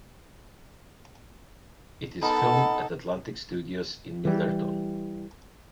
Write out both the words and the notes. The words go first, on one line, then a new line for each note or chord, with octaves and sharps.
It is filmed at Atlantic Studios in Milnerton.
B3 D#4 A4 A#4 B5
E3 G3